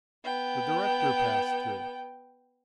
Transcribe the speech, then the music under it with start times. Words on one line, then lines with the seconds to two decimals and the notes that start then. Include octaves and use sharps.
The director passed through.
0.24 B3 G5